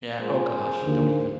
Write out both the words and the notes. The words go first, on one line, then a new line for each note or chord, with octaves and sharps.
yeah, oh gosh, don't even.
A#2 G#3 G#4 C5
D#2 D3 F3 A#3